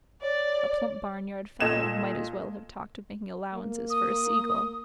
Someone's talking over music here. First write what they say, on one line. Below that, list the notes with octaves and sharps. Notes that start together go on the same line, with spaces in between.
A plump barnyard fowl might as well have talked of making allowances for a seagull!
C#5 D5
A#2 A4 D#5 G#6 E7
A#3
D#6